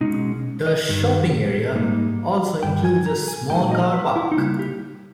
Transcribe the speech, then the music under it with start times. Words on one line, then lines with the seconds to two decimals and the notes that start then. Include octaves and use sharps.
The shopping area also includes a small car park.
0.01 B2 G#3 C#4 D#4
0.66 D#5
0.89 G2 D#3 G3
1.76 G#2 G3 A#3 D#4
2.63 G2 G3 G5
2.85 G#5
3.06 A#5
3.28 G#5
3.50 A#2 G#3 D#4 G5
3.72 D#5
3.94 B4
4.16 E4
4.32 D#4
4.37 C#3 G3 A#3 E4
4.59 G4